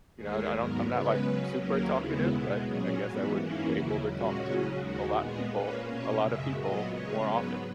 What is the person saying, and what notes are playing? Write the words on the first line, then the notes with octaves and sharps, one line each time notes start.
you know, I don I don't I'm not, like, super talkative, but I guess I would be able to talk to a lot people a lot of people more often.
D#2 D#3 G#3 G#4
G#2 F#3 B3 A#4
C#3 G#3 B3 B4
C#3 F#3 C#4
D#2 D#3 F#3 A#3 C#4 A#4
D#2 C#3 G#3 B3 E4
B2 G#3 B3
A#2 F#3 C#4 G#4
G#2 E3 B3 F#4
F#2 E3 A#3 C#4 E4
D#2 C#3 F#3 E4
A#2 G#3 C#4 F#4
C#3 F#3 C#4
D#2 D#3 G#3 F#4
A#2 G#3 B3 G#4
A#2 A#3 C#4 B4
B2 A#3 C#4 C#5
F#2 C#3 G#3 E5
A#2 F#3 B3 D#5
C#3 G#3 C#4 C#5
G#2 F#3 B3 B4